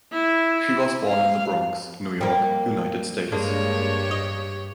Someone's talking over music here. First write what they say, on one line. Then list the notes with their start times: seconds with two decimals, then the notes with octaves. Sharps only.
She was born in the Bronx, New York, United States.
0.13 E4
1.07 F5
2.21 G3 A#3
3.32 G2 G#3 A#3 D4 G4 C#5
4.11 D#5